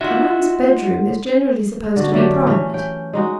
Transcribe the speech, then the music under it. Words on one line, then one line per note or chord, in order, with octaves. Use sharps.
"A man's bedroom is generally supposed to be private."
D#4 F4 F#4 E5 F#5 C6
D3 F#4
D3 F#3 A3 G4
E3 C#4
C#4 G5
G#3 D#4 F#4